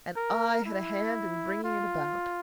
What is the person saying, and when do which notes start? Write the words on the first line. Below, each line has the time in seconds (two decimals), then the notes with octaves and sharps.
And I had a hand in bringing it about.
0.17 A#4
0.66 E4
1.64 F4